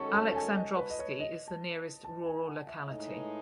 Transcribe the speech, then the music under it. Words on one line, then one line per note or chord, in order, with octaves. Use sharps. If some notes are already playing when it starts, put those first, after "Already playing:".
Alexandrovsky is the nearest rural locality.
Already playing: D#3 G#3 C#4 F#4 A4 C#6
A5
A5
G#5
D#5
B4
D#5
C#5
D#5
A5
A5
G#5
F#5
E5
A2 G#3 D#4 D#5
B4